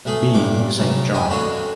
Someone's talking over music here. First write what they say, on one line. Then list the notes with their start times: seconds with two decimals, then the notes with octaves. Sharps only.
B. Saint John.
0.05 B1 A3 G#4 A4
0.34 A1 G2 A#2 D6
0.78 C2 F#2 C#3
1.14 D#5 G5 G#5
1.30 C#4 D4 F4 F#4 A4